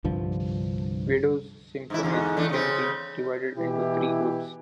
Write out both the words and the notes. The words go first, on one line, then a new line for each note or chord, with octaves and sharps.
Widor's symphonies can be divided into three groups.
C2 G2 D3 F3
G#2 E3 E4
E2 G#2 D3
E2 A3 D4
C#3 C4
B2 E3 E4 G4